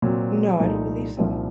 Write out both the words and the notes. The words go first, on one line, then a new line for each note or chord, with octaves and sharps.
No, I don't believe so.
A#2 F#3 C4
C2 A#2 F3 A3 D#4
C2 A#2 F3 C4 D#4